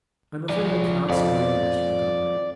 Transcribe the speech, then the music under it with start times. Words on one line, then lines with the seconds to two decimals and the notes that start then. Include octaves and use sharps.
"I am afraid I cannot spare you, Mr. Montgomery."
0.49 F3 D5
1.10 F2 D5